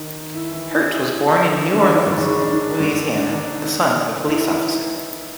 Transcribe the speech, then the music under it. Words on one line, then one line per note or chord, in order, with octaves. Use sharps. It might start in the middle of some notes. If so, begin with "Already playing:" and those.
Hirt was born in New Orleans, Louisiana, the son of a police officer.
Already playing: D#3 D#4
E4
E3 E4
D4
D#3 D#4
D#3 D#4
D3 D4
C#3 C#4
D#4
D4
D#3 D#4
D3 D4
D4
D#3 D#4
E4
D#4
E3 E4